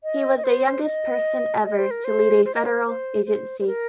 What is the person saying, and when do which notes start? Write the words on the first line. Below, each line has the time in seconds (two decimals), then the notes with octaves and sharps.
He was the youngest person ever to lead a federal agency.
0.04 D#5
0.37 D#5
0.44 C5
0.84 D#5
1.65 D#5
1.78 C5
1.91 A#4
2.04 C5
2.45 C5
2.55 D#5
2.64 C5
2.86 C5
3.26 C5
3.60 C5
3.67 A#4